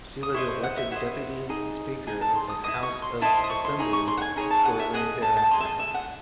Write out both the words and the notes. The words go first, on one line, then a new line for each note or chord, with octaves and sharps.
She was elected deputy speaker of the House of Assembly shortly thereafter.
D#6
E4 C5 D#5 C#6
C#6
F#5
E5
E4 C5 D#5 F#5
D#4 G#4 D#5
D#4 G#4 D#5 G#5
A5
C6
D#6
E4 C5 D#5 D#6
C#6
C6
E4 C5 D#5 A5
C6
D#6
C#6
C6
D#4 G#4 C#5
C#6
C6
F#5
G#5
D#4 G#4 C#5
A5
F#5
E5
G#4 D#5 F#5
A5
A5
G#4 D#5 C6
E5
D#5
E5
F#5